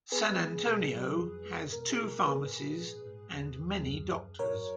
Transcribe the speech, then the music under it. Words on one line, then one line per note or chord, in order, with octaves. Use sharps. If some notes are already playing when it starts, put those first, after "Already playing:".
San Antonio has two pharmacies and many doctors.
B3 G#4 B4
G#3
B2
F#3
F2
G#3
B2 A#4
G#4
B2
A#4
A#3 G#4 B4
A#2
G#2
G#2
D#2
D#2
F#2
F#2
F#3 A#4 C#5